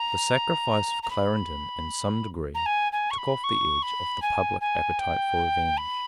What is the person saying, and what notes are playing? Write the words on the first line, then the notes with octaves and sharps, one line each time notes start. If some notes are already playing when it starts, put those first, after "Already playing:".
The sacrifice of Clarendon in some degree took off the edge of the public appetite for revenge.
Already playing: A#5
A#5
B5
A#5
G#5
G#5
C#6
B5
C#6
B5
G#5
G#5
G5
B5